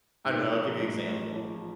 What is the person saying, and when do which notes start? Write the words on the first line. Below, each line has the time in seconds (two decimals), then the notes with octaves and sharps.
I don't know, I'll give you example.
0.25 G#2
0.52 F3
0.80 A1
1.07 A1
1.35 F3